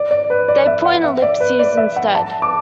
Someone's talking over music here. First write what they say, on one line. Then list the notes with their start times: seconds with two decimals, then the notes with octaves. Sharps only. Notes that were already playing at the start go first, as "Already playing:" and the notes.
They put in ellipses instead.
Already playing: D5
0.11 D5
0.30 B4
0.48 D5
0.67 E5
0.85 F#5
1.04 E5
1.22 D5
1.40 B4
1.59 D5
1.77 E5
1.96 F#5
2.15 A5
2.42 D6